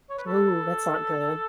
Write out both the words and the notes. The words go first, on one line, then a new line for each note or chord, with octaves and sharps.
Ooh, that's not good.
C#5
B4
A4